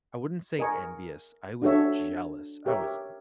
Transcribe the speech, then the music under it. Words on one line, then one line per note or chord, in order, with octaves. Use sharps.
I wouldn't say envious, I was jealous, I was
A#4 D#5 G#5 C#6
D4 F#4 A4 C#5 E5
G4 A#4 C#5 E5